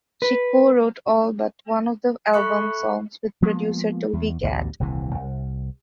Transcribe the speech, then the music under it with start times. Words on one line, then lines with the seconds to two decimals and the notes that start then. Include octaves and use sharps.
She co-wrote all but one of the album's songs with producer Toby Gad.
0.22 B4
2.34 A4 E5 B5 C#6 F#6 C#7
3.42 F3 G#3 A#3 B3
4.13 E2
4.43 A1 D2 G2 B2
4.80 D#1 C2 C3 E3
5.14 C2